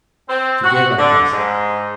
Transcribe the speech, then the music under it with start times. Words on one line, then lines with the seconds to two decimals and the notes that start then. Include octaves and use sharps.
She gave a gasp.
0.28 C4
0.64 F#4
0.98 D3
1.32 G#2